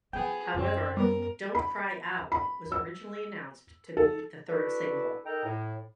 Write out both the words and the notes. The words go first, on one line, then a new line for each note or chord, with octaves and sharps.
However, "Don't Cry Out" was originally announced to be the third single.
F3 B3 G#4 G5
F#2 C4
G3 B3 A#4
B5
B5
E6
A4
D4 E4 F#4 A4 B4
D#4 A4 A#4 D#5 G5 A#5
A2